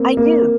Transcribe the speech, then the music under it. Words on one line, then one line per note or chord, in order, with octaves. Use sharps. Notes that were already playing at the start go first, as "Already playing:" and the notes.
I do.
Already playing: A#3 C4
A#3